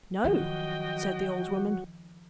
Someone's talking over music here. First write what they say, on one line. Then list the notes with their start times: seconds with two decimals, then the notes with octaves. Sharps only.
"No," said the old woman.
0.24 D#3 F3 F#3 F#4 D#5 G5